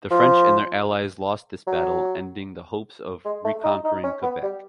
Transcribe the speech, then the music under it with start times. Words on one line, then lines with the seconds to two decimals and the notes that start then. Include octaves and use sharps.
The French and their allies lost this battle, ending the hopes of reconquering Quebec.
0.11 F3
1.67 F#3
3.25 G#3
3.44 A3
3.64 D#4
3.84 D#4
4.04 C#4
4.22 B3
4.42 G3